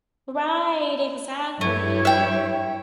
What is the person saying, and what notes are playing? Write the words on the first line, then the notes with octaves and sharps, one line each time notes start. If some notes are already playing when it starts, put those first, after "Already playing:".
Right, exactly.
G2 A3 E4 C#5
E5 G5